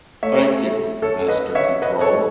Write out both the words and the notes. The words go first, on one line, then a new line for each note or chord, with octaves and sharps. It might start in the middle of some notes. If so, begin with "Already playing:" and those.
Thank you, Master Control.
A3 C#5 E5
A4 C#5
B4 D#5
C#5 E5
B4 D#5
A4 C#5